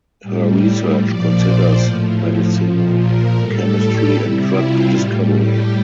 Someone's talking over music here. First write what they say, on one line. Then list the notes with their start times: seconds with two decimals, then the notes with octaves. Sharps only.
Her research considers medicinal chemistry and drug discovery.
0.22 A2 G3
1.01 A#2 F3 D5
1.39 C5
1.79 A2 F3
2.58 A#2 F3
2.97 A#4
3.36 A2 G3 A4
3.75 G4
4.14 C3 G3 E4
4.53 F4
4.92 A2 G3
5.31 G4